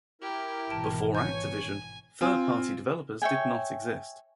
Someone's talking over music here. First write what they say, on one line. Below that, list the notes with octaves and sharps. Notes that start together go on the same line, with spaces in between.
Before Activision, third-party developers did not exist.
E4 G4 A#4
G#1 B2 E3 A5 D7
C#5 G#5 G6
C4 F4 G#5
C#5 E5 G5 G#5